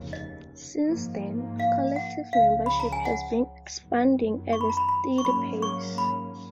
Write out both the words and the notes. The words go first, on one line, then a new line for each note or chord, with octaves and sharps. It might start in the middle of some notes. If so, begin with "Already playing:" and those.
Since then, collective membership has been expanding at a steady pace.
Already playing: F1 D#2 C#3
D#5
G#2 F3 A#3
F5
F#5
C#2 C#3 F3 F5
B5
A#5
G#5
F#5
F#2 D#3 F#3 B3
C#6
B5
A#5
B5
B5
C#6
G#2 F#3 A#3 C#4 B5
C#6
B5